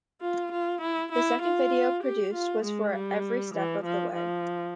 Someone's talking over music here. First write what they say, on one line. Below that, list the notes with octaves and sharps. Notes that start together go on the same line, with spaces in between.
The second video produced was for "Every Step of the Way".
F4
F4
E4
E4
F4
G4
F4
G#3
G3
E3
F3
F3